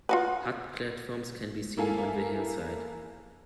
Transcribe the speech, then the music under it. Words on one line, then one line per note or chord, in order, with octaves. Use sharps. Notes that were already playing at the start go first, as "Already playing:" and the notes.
Hut platforms can be seen on the hillside.
F4 F#4 B4
A#3 E4 A4 F5 G#5